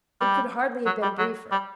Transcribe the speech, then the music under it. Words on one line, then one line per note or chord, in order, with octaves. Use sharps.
It could hardly have been briefer.
G3
F#3
G3
F#3
G3